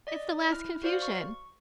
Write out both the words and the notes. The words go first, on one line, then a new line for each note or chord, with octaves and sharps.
It's the last confusion.
D5 D#5 B6
E4 F6
F#4 C5 D5 F5 F6
C#6